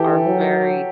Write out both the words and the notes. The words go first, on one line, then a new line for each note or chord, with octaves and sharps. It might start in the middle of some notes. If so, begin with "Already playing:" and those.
are very,
Already playing: E3 G4 A4
F#3